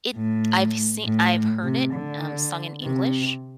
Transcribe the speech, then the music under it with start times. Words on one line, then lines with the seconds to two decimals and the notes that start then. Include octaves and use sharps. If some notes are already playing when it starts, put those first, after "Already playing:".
It I've seen I've heard it, um, sung in English.
0.16 A2
1.05 A2
1.64 C3
1.93 D3
2.82 C3